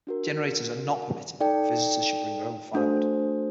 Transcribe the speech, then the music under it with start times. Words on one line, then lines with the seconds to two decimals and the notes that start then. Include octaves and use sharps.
Generators are not permitted and visitors should bring their own firewood.
0.07 D4 F#4 A#4
1.40 D#4 A4 D5 G5
2.74 A3 D4 F#4 A4 C5